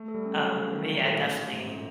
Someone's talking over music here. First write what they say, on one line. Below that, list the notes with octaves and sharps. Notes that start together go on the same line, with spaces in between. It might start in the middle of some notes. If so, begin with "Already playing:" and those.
Um, but, yeah, definitely
Already playing: A3
A4
G3
C#4
F#3 A4
C#3 C#4
E3
D#3 F#4
D3 F#4
A#2 A4
A2 C#4
A2 A3
G#2 A3
A#2 C#4